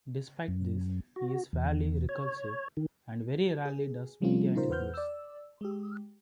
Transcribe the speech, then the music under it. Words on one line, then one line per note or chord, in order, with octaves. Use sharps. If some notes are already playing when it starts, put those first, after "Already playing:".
Despite this, he is fairly reclusive and very rarely does media interviews.
F#2
F#4
E2
C#5
D#3
G#4
F3 G3 A3 C4 C#4 F4
C#3 D#4 F4 A#4 C5
E2 B4 C5 F#5 F6 G6
D5 E6
G#3 G4